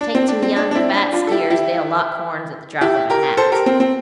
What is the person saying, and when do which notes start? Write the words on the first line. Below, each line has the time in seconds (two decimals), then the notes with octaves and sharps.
Take two young, fat steers they'll lock horns at the drop of a hat.
0.01 D4
0.15 C4
0.28 D4
0.42 C4
0.56 D4
0.71 D4
0.75 C4 E4
0.94 D4
1.12 D4 F4
1.27 A4
1.31 E4 G4
1.50 E4 G4
2.81 E4 G4
3.10 G4 A#4
3.37 A4 C5
3.52 G4 A#4
3.66 C4
3.80 C4